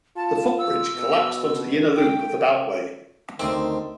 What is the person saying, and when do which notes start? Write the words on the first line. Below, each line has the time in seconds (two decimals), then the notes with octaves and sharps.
The footbridge collapsed onto the inner loop of the Beltway.
0.17 F4 A5
0.59 E6
0.96 B2
1.96 G5
3.39 D2 D#3 C4 E5 C6 D6 D#6